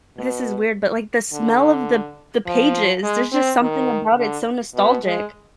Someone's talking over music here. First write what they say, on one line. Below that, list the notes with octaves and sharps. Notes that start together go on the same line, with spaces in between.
this is weird, but, like, the smell of the the pages, there's just something about it, it's so nostalgic.
B2
D3
F3
G#3
C4
D#3
D3
B2
G#3